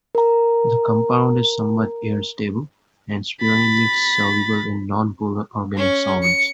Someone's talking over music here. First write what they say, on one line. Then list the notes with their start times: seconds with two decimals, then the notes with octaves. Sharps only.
The compound is somewhat air-stable and sparingly soluble in nonpolar organic solvents.
0.15 A#4 A#5
3.41 B5 A6
5.77 C#4
6.23 C#7